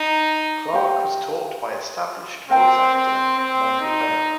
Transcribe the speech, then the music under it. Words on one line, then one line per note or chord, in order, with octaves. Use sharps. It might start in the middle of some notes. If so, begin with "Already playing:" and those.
Clarke was taught by established voice actor Michael Bell.
Already playing: D#4
G4 C5 F5
C4 A#4 G5 A#5
C4
C4
D#4